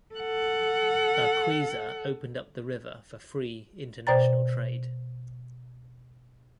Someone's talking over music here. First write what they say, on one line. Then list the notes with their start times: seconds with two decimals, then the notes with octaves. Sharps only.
Urquiza opened up the river for free international trade.
0.14 A4 F#5
4.07 B2 C5 D5 G5 A#5 A6